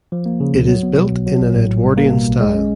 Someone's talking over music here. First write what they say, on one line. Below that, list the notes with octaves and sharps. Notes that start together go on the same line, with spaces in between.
It is built in an Edwardian style.
F3
A#3
C#3
C#2
F#3
B3
B2
B1
F#3
A1
A2
A1
G3
A#3
B2
B1
G#3
C#4